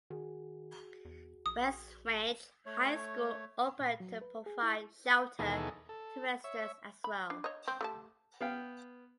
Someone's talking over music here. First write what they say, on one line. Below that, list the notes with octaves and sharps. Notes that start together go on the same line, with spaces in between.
West Ranch High School opened to provide shelter to residents as well.
D#3 F#4 G#4
E2
A#1 D#6
A3 C#5
A#2
F#3
B4
G#4
E4
D#2 B2 E3 D#4 G#4 A4
A4
C#5 E5
B5
D4
C#5 D#5
C4
A3 G4 A5
B3 F5 G5